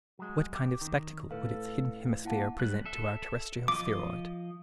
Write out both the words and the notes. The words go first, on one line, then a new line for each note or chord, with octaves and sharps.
What kind of spectacle would its hidden hemisphere present to our terrestrial spheroid?
F#3 G#3
G4
D#3
A2 A4 B4 F5
A#3 E4 F#5 A5
G3 F#6
A4 E5
F3 D#5 D6